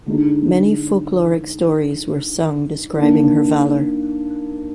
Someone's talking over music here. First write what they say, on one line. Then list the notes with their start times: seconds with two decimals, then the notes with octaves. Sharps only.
Many folkloric stories were sung describing her valour.
0.06 D3 G#3 D#4
2.95 D#3 A#3 D4